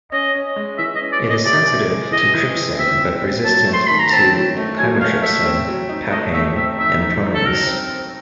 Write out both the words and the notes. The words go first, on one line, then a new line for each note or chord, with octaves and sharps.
It is sensitive to trypsin but resistant to chymotrypsin, papain and pronase.
C#4 D#5
C#4
G#3
E3 E5
D#5
C#4
D5
C#4
D#5
C3 D5
C3
G#3
E3 D#5
E3
E3
C4 E5
C4
C4
F#3 A5
A3
C6
D#3 B5
A#5
C4 A5
F#3
A3
F#3 G#5
A3 F5
A3 E5
C4
F#3
D#4
A3 D#5
A3 E5
C4 E5
D#4 E5
D#4
D#4
A4
F#3 A#4
C4
C4